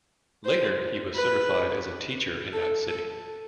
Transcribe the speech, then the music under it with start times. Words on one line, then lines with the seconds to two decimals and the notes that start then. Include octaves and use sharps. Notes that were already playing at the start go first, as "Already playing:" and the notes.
Later he was certified as a teacher in that city.
0.45 C5
1.15 B4
2.53 A4
2.88 A4